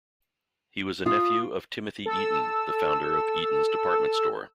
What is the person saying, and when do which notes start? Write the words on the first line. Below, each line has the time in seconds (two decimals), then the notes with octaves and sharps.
He was a nephew of Timothy Eaton, the founder of Eaton's department store.
1.06 F4 D#6
2.06 A4 E6